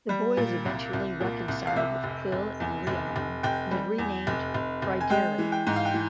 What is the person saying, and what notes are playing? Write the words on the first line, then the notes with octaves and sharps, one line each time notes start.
The boy is eventually reconciled with Pwyll and Rhiannon and is renamed "Pryderi".
G3
A#2
C2
C2
A#2
C2
F5
C3 E5
F1
F1
E2
F1
F1
F1 G5
G3
E2
F1
F1
F1
G#5
G#3 G5
E3
G5
G#2
F5
G5
E3